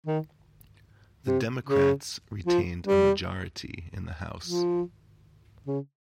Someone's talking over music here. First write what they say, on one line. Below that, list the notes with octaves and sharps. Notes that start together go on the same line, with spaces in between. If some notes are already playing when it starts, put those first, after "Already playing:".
The Democrats retained a majority in the House.
D#3
C3
C#3
F3
G3
F3
C#3